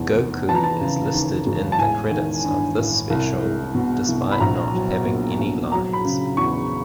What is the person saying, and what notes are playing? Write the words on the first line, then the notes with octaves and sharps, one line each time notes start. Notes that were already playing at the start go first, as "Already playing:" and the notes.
Goku is listed in the credits of this special, despite not having any lines.
Already playing: F1 E2 B2
F1
E3 A5
A#5
A5
C#3
D#2
E1
A5
A1 G#5
D#3
G2
A1
C2
G#3
B2
C2
B5
A#1 A#5
F#3
A#2
A#1
F#3 A#5
B5
C#3
E2 C#6